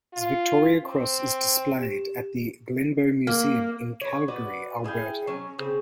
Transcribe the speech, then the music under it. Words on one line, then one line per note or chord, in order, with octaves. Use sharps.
His Victoria Cross is displayed at the Glenbow Museum in Calgary, Alberta.
F4
C4
G4 E7
A#3
B4 C#5
B3 F#4 B4 D5
E4 G#4 F5 G5
F#3 C#4
C#3 C4